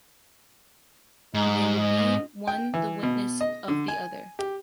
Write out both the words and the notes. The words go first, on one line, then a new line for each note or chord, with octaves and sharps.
They would be one the witness of the other.
G#2 D#4
D#5
G5
E3
B2
D#5
D3
G#5
G4